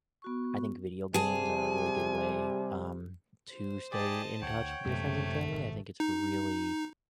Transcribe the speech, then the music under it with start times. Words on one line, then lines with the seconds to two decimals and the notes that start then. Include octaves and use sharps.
I think video games are a really good way, um, to stay in touch with your friends and family, I think it's really,
0.22 B3 F#4 C#6
1.14 C3 G3 G#4 G#5 A5
3.52 C5
3.92 G4 G#4 D5 D#5 A5
4.42 D2 C#5 F#5 G5
4.85 A1 F#2 C3 G#3 A3
5.52 G#1 F#2 B2
6.00 D#4